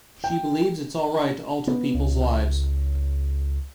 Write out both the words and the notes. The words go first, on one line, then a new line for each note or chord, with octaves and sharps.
She believes it's all right to alter people's lives.
G5
B3
C#2